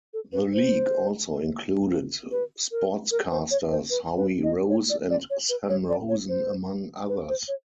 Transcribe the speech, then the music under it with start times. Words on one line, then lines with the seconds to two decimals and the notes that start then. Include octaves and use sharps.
The league also included sportscasters Howie Rose and Sam Rosen, among others.
0.13 A4
0.33 B4
0.53 C5
2.31 B4
2.71 A#4
3.11 A#4
3.31 C5
3.51 C#5
3.71 C5
3.90 B4
4.17 B4
4.44 D#5
4.69 C#5
4.90 D5
5.10 D5
5.30 C#5
5.49 B4
5.69 C#5
5.89 D5
6.09 C#5
6.29 C5
7.09 B4
7.29 C5
7.48 C#5